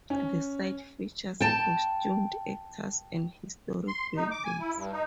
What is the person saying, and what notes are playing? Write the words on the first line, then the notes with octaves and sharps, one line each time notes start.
The site features costumed actors and historic buildings.
C#4
G5 A5
C6
D#4
D6
G#5
E4
G2
D#4